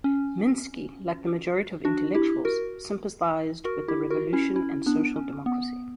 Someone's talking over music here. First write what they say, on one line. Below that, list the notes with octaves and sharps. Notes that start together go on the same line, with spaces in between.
Minsky, like the majority of intellectuals, sympathized with the revolution and social democracy.
C#4
D4 F#4
E4 G4
F#4 A#4
F#4 A#4
E4 G4
F#4 A#4
C#4 E4
C#4 E4
B3 D4
C#4
B3